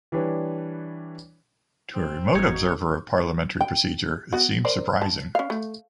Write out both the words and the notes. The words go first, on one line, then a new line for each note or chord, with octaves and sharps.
To a remote observer of parliamentary procedure it seems surprising.
E3 G3 D4 B4 C#5
C4
G#1 A#2 D#4 F#4 C#5
G5
B3 F#4
A#4 C5 D5
A5
C#4 F5
A3